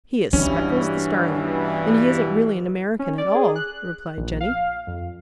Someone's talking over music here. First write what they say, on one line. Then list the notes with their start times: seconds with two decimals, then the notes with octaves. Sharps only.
"He is Speckles the Starling, and he isn't really an American at all," replied Jenny.
0.33 G2 B2 E3 C#4 D4
2.99 C#4
3.18 D5
3.35 G#4
3.55 F#6
4.17 A#1
4.41 F5
4.87 F2